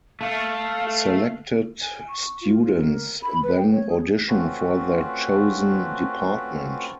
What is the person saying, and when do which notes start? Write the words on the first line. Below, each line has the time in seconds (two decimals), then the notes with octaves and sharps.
Selected students then audition for their chosen department.
0.21 A3 F5
1.81 G#5
2.08 C#6
2.41 F4
2.61 F4
2.78 A#4
3.23 B5
3.43 B4
3.57 G5
3.71 C#5
3.89 G#4
4.28 A3 C4 C#4 F4 F#4 B4